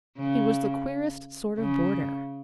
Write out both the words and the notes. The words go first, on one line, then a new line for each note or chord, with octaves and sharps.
He was the queerest sort of boarder!
C#3
C#3